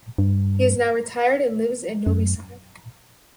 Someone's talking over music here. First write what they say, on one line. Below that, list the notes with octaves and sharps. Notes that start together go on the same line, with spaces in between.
He is now retired and lives in Novi Sad.
G2
F#2